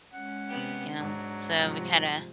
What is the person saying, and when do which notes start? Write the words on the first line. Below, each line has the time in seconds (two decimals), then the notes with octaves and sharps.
You know? So we, kinda,
0.13 G#3 C#4 F#5
0.48 C3 B3 G4
1.00 G#2 F#3 D4
1.58 G2 C3 F3